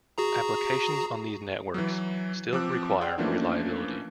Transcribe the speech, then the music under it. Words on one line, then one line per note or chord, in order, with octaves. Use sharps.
Applications on these networks still require reliability.
F#4 G#4 A#5
E3 F#3
F3 C4 D6 E6 F#6
G#4 D5 F#5 G5 C6
E3 F3 A3 A#3 C#4 D4